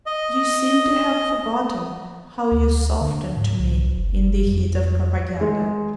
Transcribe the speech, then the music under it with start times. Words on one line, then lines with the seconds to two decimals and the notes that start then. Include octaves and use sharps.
You seem to have forgotten how you softened to me in the heat of propaganda.
0.06 D#5
2.52 D2
3.01 D3
3.37 G#2
3.59 C2
3.96 F#1
4.46 F2
5.41 G#3